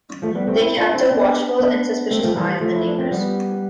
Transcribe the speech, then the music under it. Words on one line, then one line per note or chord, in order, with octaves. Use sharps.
They kept a watchful and suspicious eye on the neighbours.
F3 A3
G3 B3
A3 C4
C4 E4
D4 F4
C4 E4
B3 D4
B3 D4
A3 C4
F3 A3
E3 G3
F3 A3
E4
D4
C4
G3 B3